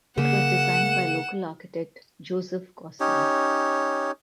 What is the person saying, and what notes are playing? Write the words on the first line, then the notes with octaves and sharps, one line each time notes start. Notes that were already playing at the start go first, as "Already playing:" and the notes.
It was designed by local architect Joseph Gosling.
C#3 A#3 F#5 E7
C#4 D#4 G4 C#5